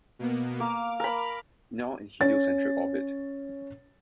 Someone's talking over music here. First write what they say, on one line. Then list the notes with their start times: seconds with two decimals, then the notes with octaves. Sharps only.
Now in Heliocentric orbit.
0.19 B2 A#3 B3
0.60 A#3 D6 F6
1.00 A#4 B5
2.21 C#4 C#5 A6